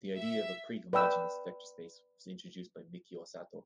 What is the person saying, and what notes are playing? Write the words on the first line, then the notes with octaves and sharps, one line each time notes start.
The idea of a prehomogeneous vector space was introduced by Mikio Sato.
E5
B4 D5 G5 E6